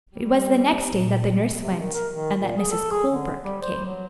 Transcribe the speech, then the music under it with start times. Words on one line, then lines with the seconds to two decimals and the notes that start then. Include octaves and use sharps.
It was the next day that the nurse went, and that Mrs. Colebrook came.
0.15 G3
0.98 A#2
1.61 C3
1.80 D#3
1.94 A#4
2.14 D#3
2.41 A#2
2.57 G#4
2.71 A4
2.91 G#4
3.10 D3
3.44 G3
3.62 C5
3.86 F#3